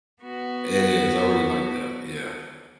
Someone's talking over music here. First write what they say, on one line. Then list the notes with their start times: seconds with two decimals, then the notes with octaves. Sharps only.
It is, I really like that, yeah.
0.23 B3 F#4